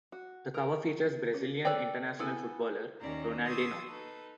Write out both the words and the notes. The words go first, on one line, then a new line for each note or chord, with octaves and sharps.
The cover features Brazilian international footballer Ronaldinho.
F#4
A#4
C#4
A4 B4 C#5 D5 G5
B3 E4 A4 G#5
D#2 D#3 A#3 C#4 D5 A#5
C6 C#6 D#6 E6 G#6 A6
D#4 A4 B4